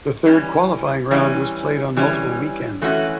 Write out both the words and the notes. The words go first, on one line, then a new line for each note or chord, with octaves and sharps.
The third qualifying round was played on multiple weekends.
E3 G3 C#4
E3 G3 C#4
E3 G3 C#4
E3 A3 C#4 F#4